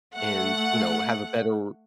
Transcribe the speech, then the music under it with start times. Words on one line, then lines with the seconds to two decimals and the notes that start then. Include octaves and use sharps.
and, you know, have a better
0.16 A3 F#5